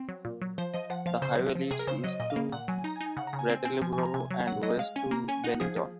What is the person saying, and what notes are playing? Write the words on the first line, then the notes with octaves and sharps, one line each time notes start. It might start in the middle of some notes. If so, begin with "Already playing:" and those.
The highway leads east to Brattleboro and west to Bennington.
Already playing: C4
F#3
A#2
F#3
F3 C5
F3 D#5
F3 F#5
F3 F5
C#3 C5
F#3
F3
C3 G#4
A#4
C#3 C5
F#3 D#5
A#2 D#5
F5
A#3
A#2 F#5
F#3 G#5
D#4 A#5
G#5
D#4
G#5
C#3 F#5
A#5
C#3
G#5
C4 G#5
C4 G#5
F3 G#5
G#5
F3
A#5
C3 G#5
F#3
F#3 F#5
F#3 D#5
G#3 F5
C#4 G#5
A#3 A#5
C#4 G#5
D#4 F#5
F3 G#4
F3